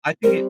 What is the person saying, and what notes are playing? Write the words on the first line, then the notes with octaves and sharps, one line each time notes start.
I think it
G3 C4 G4 A#4 C5